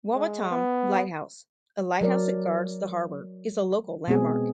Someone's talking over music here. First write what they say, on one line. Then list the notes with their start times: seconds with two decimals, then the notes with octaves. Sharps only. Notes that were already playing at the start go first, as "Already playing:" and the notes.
Wawatam Lighthouse, a lighthouse that guards the harbor, is a local landmark.
0.14 G#3
0.51 B3
2.01 F#3 A#4 D5
4.08 B2 G#3 B3 C4 G#4